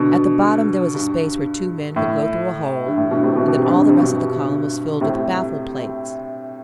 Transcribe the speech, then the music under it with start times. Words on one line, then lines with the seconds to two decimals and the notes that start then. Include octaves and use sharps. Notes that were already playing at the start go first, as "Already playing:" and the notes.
At the bottom there was a space where two men could go through a hole; and then all the rest of the column was filled with baffle plates.
Already playing: B2 D3
0.95 G2
1.96 A2
2.86 G2
2.98 A2
3.11 G2 B2
3.23 A2 C3
3.36 G2 B2
3.48 B2
3.57 C3
3.65 G2 B2
3.78 D3
3.89 C3
3.99 G2 B2
5.01 A2 C3